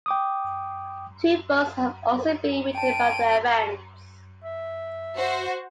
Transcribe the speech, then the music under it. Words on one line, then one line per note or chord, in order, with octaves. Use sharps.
Two books have also been written about the events.
G5 D6 D#6
G5 A5 D7 D#7
E5
F#4 C5